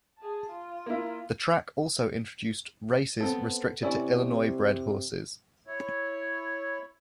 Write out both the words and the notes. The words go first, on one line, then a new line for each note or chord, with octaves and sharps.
The track also introduced races restricted to Illinois-bred horses.
G#4 A5
F4
A#3 E4
B3 C4 A4
C3 C#4 E4 D5
E4 C#5